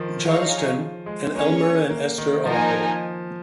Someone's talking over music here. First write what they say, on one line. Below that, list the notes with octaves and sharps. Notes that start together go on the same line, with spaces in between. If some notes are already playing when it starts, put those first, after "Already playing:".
Johnston and Elmer and Esther Aho.
Already playing: D#3 F3
D#4 G#4 C#5 F5
G#3
A#3 C#4 G#4 C#5
A#3
D#3
F3 A#3 D#4 A#4 D#5 G#5